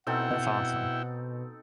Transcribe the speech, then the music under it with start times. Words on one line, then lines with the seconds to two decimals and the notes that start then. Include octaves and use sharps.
That's awesome.
0.07 B2 C4 D#4 E4 A4 F#5 G5